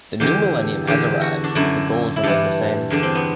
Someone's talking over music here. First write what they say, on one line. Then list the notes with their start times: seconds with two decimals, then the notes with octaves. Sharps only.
The new millennium has arrived, but the goals remain the same.
0.20 E2 D3 G4
0.87 E2 D3 G4
1.21 F#4
1.44 D4
1.55 F#2 D3 E4
2.16 E4
2.23 G2 E3 D4
2.90 E2 D3 D4
3.03 C4
3.15 B3